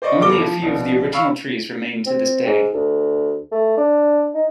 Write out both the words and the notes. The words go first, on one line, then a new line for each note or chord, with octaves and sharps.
Only a few of the original trees remain to this day.
C5 D5 D#5 C#6
F#1 B3 A4 D6 G7
F3
A#1 B2
F5 B5 C#6 E6
C4
G#2
D2
A3
D4
D#4